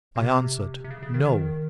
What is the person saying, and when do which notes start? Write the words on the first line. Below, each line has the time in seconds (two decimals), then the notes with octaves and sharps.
I answered, No.
0.16 B2
0.22 C3
0.84 C3
0.91 C#3
1.03 C#3
1.14 D#3
1.25 D#3